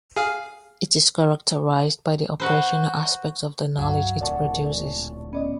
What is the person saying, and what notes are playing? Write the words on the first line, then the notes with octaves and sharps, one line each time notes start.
It is characterized by the operational aspect of the knowledge it produces.
G#4 F5
F#4 B4 C5
C#2 G2 F#3 F5 F#5
D1 A#1 A#4 D5 F#5 A5 C#6
G#3
B3 C#4 D5 D#5